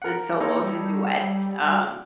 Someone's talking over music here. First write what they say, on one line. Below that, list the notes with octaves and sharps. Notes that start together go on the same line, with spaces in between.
the solos and duets. Um,
A#4 F#5
A#3 D#4 A4 C#5
G3